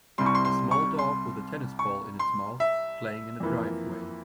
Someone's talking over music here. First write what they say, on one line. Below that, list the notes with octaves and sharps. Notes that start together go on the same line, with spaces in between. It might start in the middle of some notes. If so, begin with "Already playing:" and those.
A small dog with a tennis ball in its mouth playing in a driveway.
C2 C3 G3 C6
C#6
C6
C6
C#6
C6
C#6
C6
E5
F2 E3 A#3